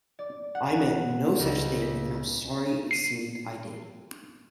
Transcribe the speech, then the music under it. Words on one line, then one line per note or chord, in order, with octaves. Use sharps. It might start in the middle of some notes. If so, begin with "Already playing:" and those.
I meant no such thing, and I'm sorry it seemed I did.
D5
F#5
C#2
B6
C7 D#7